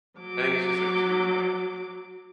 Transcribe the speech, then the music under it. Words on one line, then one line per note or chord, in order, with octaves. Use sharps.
I think it's just, like, too, like
F#3 D6